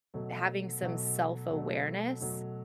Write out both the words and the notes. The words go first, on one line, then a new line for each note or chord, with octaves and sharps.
having some self-awareness
B2 F#3 A3
B2 F#3 A3
B2 F#3 A3
B2 F#3 A3